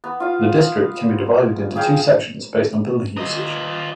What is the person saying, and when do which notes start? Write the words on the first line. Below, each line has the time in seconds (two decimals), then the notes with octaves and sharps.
The district can be divided into two sections based on building usage.
0.04 B3
0.20 F4 F5
1.76 G#4 B4 F5 G5
3.17 F4 D#5